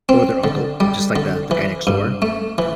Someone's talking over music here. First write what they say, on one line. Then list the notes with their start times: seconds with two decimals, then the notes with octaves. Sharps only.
or their uncle. I'm just, like, the the guy next door,
0.09 C4
0.44 D3
0.80 G3
1.16 D3
1.51 E3
1.87 G2
2.22 A3
2.58 E3